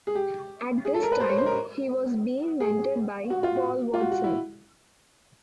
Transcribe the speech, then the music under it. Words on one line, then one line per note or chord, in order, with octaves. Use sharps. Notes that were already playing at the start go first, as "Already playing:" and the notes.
At this time he was being mentored by Paul Watson.
G#4
G4
G#4
A4
A#4
B4
C5
C#5
C5
A#4
G#4
F#4
F4
F#4
F4
F#4
F#4
E4